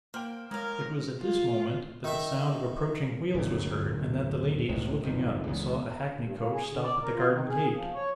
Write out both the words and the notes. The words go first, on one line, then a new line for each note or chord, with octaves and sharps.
It was at this moment, that the sound of approaching wheels was heard, and that the ladies, looking up, saw a hackney-coach stop at the garden gate.
A#3 C5 G5
A2 G#3 A#4 F5
F4
D#3 E5
D1 G2 A#2
E1 C#2 A2 G#3
F#1 F2 G#2 D#3
C#2 E3 A3 B3
D2
G2
A#3
G#4
D3
D5
A#4
F4
D#3
G#4
F3
C#5